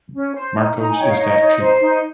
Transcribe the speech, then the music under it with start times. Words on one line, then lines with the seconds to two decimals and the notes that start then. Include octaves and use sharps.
Markos is that tree.
0.14 C#4
0.35 C5
0.55 D#4
0.76 D#4 A#5
0.89 G#5
0.98 C#5 G5
1.09 F5
1.18 D#4 D#5
1.39 D#4
1.60 C5
1.80 D#4